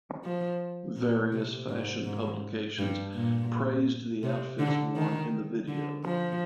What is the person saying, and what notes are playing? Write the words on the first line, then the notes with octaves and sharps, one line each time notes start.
Various fashion publications praised the outfits worn in the video.
F3
A#2
C3
G#2
G#2
G2
A#2
C3
D3
D#3
D3
F3